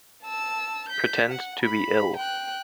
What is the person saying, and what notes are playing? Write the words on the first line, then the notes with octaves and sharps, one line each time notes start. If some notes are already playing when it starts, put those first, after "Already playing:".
Pretend to be ill.
A5 E6
G6 B6
F#5
B5
G5 F#6